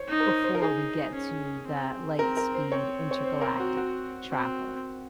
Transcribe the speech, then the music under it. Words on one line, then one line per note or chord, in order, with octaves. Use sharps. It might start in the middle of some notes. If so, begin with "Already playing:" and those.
before we get to that light speed intergalactic travel.
Already playing: C5 C#5
D#4
A#4
C5
C5
A#4
D#4 G#4
C#4
C4
C4 A#4
A#4
C5
C4 C#5
C#5
C5
A#4
F#4
F#4
C4